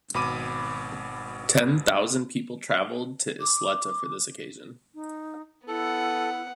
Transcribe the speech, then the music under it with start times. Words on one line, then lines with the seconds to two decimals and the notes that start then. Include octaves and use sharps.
Ten thousand people traveled to Isleta for this occasion.
0.14 G#1 B2 B5 D6 D#7
3.40 D6
4.95 D#4
5.68 B3 E4 A4 F#5